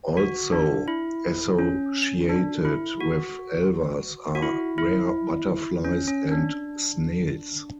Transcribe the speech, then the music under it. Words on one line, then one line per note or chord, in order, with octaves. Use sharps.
Also associated with alvars are rare butterflies and snails.
F#4
D4
E4
C#4
D4
E4
F#4
F#4
E4
E4
C#4
C#4
D4